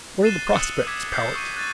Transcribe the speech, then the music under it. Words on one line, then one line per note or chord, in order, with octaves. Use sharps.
"What are the prospects, Powart?"
F#6 A6 C7 D#7 E7 G7
D#6 E6 F#6 C#7 G7
D6 G#6 B6 D#7
F#6 G6 C7
C#6 G6 D#7
F#6 A6 D#7